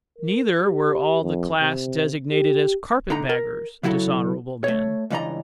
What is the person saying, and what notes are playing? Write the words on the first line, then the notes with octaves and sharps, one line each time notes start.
Neither were all the class designated as carpetbaggers dishonourable men.
A#4
G4
F2
C3
G4
D3 D#4 A#5
A#4
C#3 F#3 E4 F#4 A4
A3 C#5
C#2 G2 E3 D5 D#5 A#5